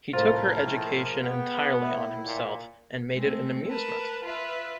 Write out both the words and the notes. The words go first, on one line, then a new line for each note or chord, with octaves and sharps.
He took her education entirely on himself, and made it an amusement.
C2 A2 F3 A#3 F4 A4 A#4 C5
A2 G#3
B3 G5
A2 E4 B4
A#2
G#3 A3 C4
A#4 B4 A5
F4 B4 E5